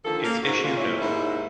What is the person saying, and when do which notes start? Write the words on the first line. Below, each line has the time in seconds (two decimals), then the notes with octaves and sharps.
Its issue no.
0.05 D3 D#3 F3 A#3 A4
0.23 A#3 C#4
0.43 G#2 F#4
0.63 A#2 D3 F4
0.77 A#2 C#4 E4
1.01 D#2 G#2 G#3 E4 C5 E5